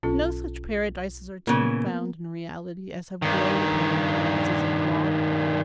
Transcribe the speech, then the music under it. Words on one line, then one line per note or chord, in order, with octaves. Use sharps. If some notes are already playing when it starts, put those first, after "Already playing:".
No such Paradises are to be found in reality as have glowed upon the canvass of Claude.
B1 C#4 F4 A4
A#2 C#3 E3 A#3 B3
G2 D#3